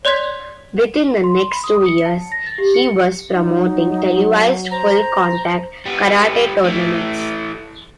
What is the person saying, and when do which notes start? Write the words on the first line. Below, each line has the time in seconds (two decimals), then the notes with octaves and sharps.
Within the next two years, he was promoting televised full-contact karate tournaments.
0.05 C#5 D5 C6 F#6 G#6 B6
1.24 C6
1.52 B5
1.64 D#6
1.86 C#7
2.06 A5
2.32 A#6
2.46 A6
2.58 G4
2.74 C#7
3.33 F#3 D#4
4.71 C5 A#5
5.85 G3 B3
6.64 E3 A3